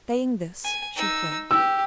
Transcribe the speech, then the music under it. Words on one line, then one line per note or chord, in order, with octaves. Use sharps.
Saying this, she fled.
G#5
D#4 E6
G4 E6